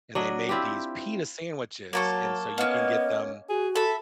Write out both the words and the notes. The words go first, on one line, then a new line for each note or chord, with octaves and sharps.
and they make these pita sandwiches and so you can get them
F#3 D4 D#5
C4 E4 F4 G4
F#3 A#3 A4 C#6
A#3 B3 C#4 D#5
F#4 G#4
A4 E5 B5